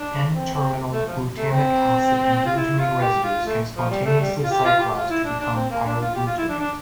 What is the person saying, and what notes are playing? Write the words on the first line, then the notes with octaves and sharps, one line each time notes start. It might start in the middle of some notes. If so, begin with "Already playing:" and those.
"N"-terminal glutamic acid and glutamine residues can spontaneously cyclize to become pyroglutamate.
Already playing: D4
C4
C4
A3
F3
A3
C4
F4
E4
F4
G4
F4
A3
F3
G3
A3
G3
F4
G4
F4
G4
F4
E4
D4
D4
C4
A#3
D4
F4
G4
F4
E4
D4
D4